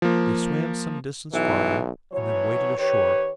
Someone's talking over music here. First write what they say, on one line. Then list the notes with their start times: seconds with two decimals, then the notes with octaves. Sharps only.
They swam some distance farther, and then waded ashore.
0.02 F3 A#3
1.33 B1 E3
2.13 B2 E3 F#3 C#5
2.78 D#3 G4 B4 C#5